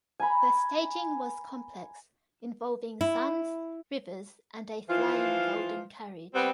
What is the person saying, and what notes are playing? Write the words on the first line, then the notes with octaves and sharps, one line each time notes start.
The staging was complex, involving suns, rivers, and a flying golden carriage.
G#5 A#5 B5
E4
E3 F3 F4
G3 B3 C4